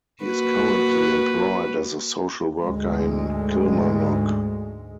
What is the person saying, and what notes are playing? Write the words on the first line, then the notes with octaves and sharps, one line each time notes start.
He is currently employed as a social worker in Kilmarnock.
A#3 F#4 B4
D2 G#2 G#3